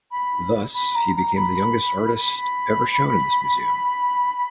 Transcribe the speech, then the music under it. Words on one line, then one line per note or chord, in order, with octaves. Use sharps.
Thus, he became the youngest artist ever shown in this museum.
B5
B5
A#5
A#5
B5
B5